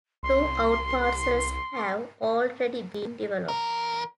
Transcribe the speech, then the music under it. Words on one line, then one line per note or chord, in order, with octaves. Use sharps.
Two outparcels have already been developed.
C2 C6
E2 A#4